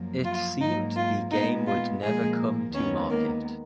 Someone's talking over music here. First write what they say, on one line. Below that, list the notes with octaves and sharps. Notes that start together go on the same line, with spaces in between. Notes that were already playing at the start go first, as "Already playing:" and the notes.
It seemed the game would never come to market.
Already playing: F#2 F3 A#3
F4
G#2 F#3 A#3 D#4
F4
A#2 G#3 B3 D#4
F4
A#2 F3 G#3 A#3 G#4
D#2 D#3 G#3 B3 C#4 C#5
A#3 A#4